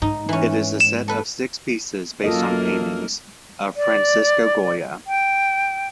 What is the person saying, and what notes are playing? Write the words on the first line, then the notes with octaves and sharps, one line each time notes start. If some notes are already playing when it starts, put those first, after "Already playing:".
It is a set of six pieces based on paintings of Francisco Goya.
G#2 D#4
E3 C#4
E7
A4 B4
F#2 A#3 F4 A4 A#4 D#5
D5
G5